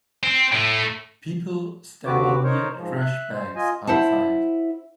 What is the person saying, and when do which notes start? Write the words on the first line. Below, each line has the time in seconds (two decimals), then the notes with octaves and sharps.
People standing near trash bags outside.
0.23 C4
0.52 A2 A3
2.06 D#2 D3 C4 F#4 B4 D6
2.44 D#4 A#4 C5 C#5
2.75 G#2 F3
2.99 E5 F#6
3.32 C5
3.56 F4 D#5 G#5
3.87 E4 C5 F#5 A5